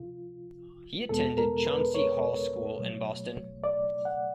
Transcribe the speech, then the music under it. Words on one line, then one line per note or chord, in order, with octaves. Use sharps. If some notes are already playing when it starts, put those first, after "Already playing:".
He attended Chauncy Hall School in Boston.
Already playing: C#2 C3 F3 F4
E2 B2 G#3 B3 A4
A#4
B4
C#5
B2 F#3 A3
D5
F#5